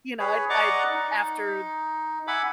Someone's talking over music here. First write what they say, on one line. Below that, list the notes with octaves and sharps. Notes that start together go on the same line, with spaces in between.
you know, I'd I'd after
G#4 B4 C#5
D5 D#5 F#5 A#5 C#6 D6
D#4
E5 F#5 G#5 B5 D6